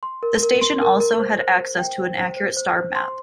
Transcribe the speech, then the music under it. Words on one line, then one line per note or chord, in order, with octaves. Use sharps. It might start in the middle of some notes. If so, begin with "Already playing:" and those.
The station also had access to an accurate star map.
C6
A#4
A#4
C6
A#4
A#4
C5
C5
C5
G5
C5
C5
C5
C5
C5
C6